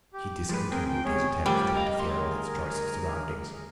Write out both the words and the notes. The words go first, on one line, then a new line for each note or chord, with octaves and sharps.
He discontinued his attempt to interfere with its choice of surroundings.
G4
F3 G#3 B4
A2 C4 G#4 A#4 G5
G5
E2 G#2 C3 G#4 C#5
D3 G3 A3 F4 G4 A#4 C5
A#4 D#5 F5
D2 G#4 A#4 C6